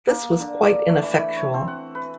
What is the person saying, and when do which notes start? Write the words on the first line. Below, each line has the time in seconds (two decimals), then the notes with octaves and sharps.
This was quite ineffectual.
0.07 A#3
0.40 D3
0.63 D5
0.89 A3
1.02 E3
1.19 B5
1.37 C#5
1.54 C4
1.68 F#5
1.95 B4